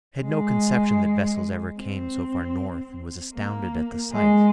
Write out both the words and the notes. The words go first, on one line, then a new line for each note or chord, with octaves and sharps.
I had no conception that vessels ever came so far north and was astounded at the sight.
G#3
C4
A#3
G#3